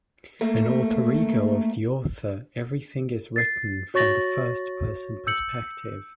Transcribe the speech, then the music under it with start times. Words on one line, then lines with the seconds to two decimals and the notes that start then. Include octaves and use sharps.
An alter ego of the author, everything is written from the first person perspective.
0.41 A3 A#3
3.36 A6 C7
3.94 F#4 C#5 C#6 A6 A#6 F#7
5.27 E6 G6 C#7 F#7